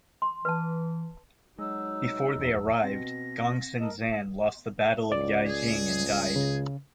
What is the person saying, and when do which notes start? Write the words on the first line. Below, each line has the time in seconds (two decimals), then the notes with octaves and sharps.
Before they arrived, Gongsun Zan lost the Battle of Yijing and died.
0.22 C6
0.45 E3 B4 A5
1.58 F#3 G#3 D#4 E6
2.37 D#1 F2
2.84 B2 C4 A#6
3.80 A4 A#4 D#5
5.12 C#2 D5
5.47 G#4
6.36 C#3